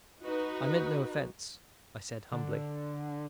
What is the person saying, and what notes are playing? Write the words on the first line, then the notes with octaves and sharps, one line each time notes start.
"I meant no offence," I said humbly.
D#4 F#4 B4
D3